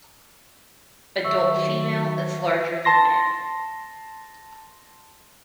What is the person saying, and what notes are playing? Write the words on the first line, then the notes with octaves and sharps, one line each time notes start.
Adult female is larger than male.
D#3 F#3 E5 C#6 E6
A5 C6 A#6